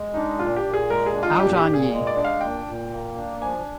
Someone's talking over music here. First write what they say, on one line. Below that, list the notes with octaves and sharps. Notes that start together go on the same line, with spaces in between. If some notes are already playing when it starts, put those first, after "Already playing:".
Out on ye!
Already playing: G#3
D4 D#4
A#2 F4
G4
A#2
G#4
G#3 A#4
G#4
D4
F4
A#2 G4
G4
A#2
G#4
G#3
D5
D4
F5
A#2 G5
A#2
A#3
D4
F3 G#5